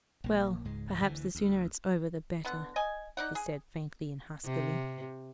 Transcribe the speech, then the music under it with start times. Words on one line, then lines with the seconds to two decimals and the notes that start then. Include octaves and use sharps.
"Well, perhaps the sooner it's over the better," she said faintly and huskily.
0.24 A#1 A#3
0.65 C#2 G#2 G#3
1.02 D2 D3 E3
1.35 D2
2.45 D3 B3 F#5
2.76 D#5 G#5
3.17 D#4 D5 F#5
3.35 G#4
4.44 C3